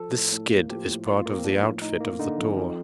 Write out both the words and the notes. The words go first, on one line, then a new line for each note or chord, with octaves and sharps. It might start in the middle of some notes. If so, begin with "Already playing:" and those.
This skid is part of the outfit of the tour.
Already playing: F3 A4
A2
A2
A#3
F3 G4
A2
A2 F4
A#3
C4
F3 D4
A2
A2 D#4
A#3
D3 D#4
F2
F2